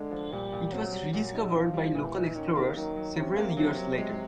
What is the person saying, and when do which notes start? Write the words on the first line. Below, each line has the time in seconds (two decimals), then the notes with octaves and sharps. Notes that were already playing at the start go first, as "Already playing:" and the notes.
It was rediscovered by local explorers several years later.
Already playing: D3 G#3
0.11 F3
0.32 A#2 G3
0.52 A#2
0.72 F#3 C4
0.92 G3
1.13 A#2 F#3
1.34 D#4
1.54 F3 C4
1.74 G3
1.94 A#2 E3
2.15 D#4
2.35 D#3 C#4
2.56 A#3
2.76 D#3 F#3
2.96 F#3
3.16 C3 C#4
3.37 A#3
3.56 C3 F#3
3.77 F#3
3.98 G#3